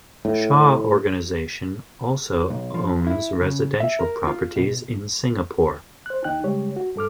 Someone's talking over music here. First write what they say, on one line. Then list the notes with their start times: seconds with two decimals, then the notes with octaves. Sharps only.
Shaw Organisation also owns residential properties in Singapore.
0.25 A2
2.50 B1
2.74 F3
3.07 E4
3.41 C#3
3.80 E5
3.99 A#4
4.27 F4
4.56 B2
6.06 C5 F#6
6.24 D#2 D#4 G5 F#6
6.43 C#3 G3 G#3 G4 C#5
6.76 F#4
6.96 G2 A4 D6 F6